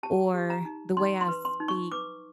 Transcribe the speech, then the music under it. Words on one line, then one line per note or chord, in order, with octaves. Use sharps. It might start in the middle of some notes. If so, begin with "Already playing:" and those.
or the way I speak,
G4 A5
G4
A#5
D#4
D#4 C6
C6
B4
C6
D#4
C#6
B4 D6